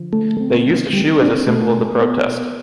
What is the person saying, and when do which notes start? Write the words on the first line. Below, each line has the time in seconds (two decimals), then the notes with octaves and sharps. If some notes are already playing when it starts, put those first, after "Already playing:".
They used a shoe as a symbol of the protest.
Already playing: D3 F3
0.13 D3 A3
0.39 C4
0.66 A3
0.93 G3 C4
1.20 C4 D4
1.46 B2 A3
1.74 B2
2.00 B3
2.27 B2